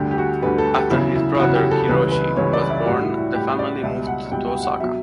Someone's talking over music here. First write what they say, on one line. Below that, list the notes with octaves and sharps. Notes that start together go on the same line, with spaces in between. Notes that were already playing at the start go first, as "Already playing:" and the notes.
After his brother, Hiroshi, was born, the family moved to Osaka.
Already playing: D2 D3 G3 G4
G4
F#4
D2 D3 G3 B4
A4
G4
E2 C#3 F#3 E4
E4
E4
E2 C#3 F#3 F#4
G4
A4
C#2 C#3 E3 G3 B4
B4
C#2 C#3 E3 G3 C#5
D5
E5
A2 G3 F#4
E4
E4
A2 G3 G4
D5
C#2 B2 G3 E5
F#5
C#2 B2 G3 G5
G5
F#5
B2 F#3 E5